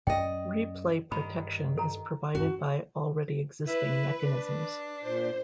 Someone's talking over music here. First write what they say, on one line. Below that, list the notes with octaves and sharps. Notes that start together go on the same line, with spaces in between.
Replay protection is provided by already existing mechanisms.
F#2 C#4 D5 D#5 G5
G2 D#3 B5
A4 A#5
D2 G2 C#4 F#4
E4 B4
D4
A#2 C5